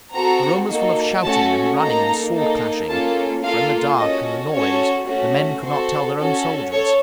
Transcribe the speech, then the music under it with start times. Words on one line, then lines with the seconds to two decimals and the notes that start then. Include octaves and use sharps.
The room was full of shouting and running and sword-clashing; for in the dark and the noise the men could not tell their own soldiers.
0.13 C4 F#4 A4 A#5
0.68 A#3 D#4 F#4 A4
1.23 A3 C#4 F#4 A4 A5
1.78 A#3 D#4 A4 A#5
2.33 A#3 D#4 A4
2.88 A#3 C#4 F4 A4 A5
3.43 A#3 F4 A4 F5
3.97 C#4 F#4 A4 D#5
4.52 C#4 F#4 A4 C#5
5.07 A3 C#4 F#4
5.62 C4 F#4 A4 C5
6.17 C#4 F#4 A4
6.72 A4 C#5